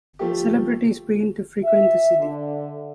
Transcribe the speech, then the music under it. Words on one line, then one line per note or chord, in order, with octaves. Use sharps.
Celebrities began to frequent the city.
F3 A3 F4 G4
E5
D3